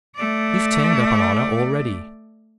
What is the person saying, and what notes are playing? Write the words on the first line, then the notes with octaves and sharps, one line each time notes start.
You've turned up an honor already.
A3 D5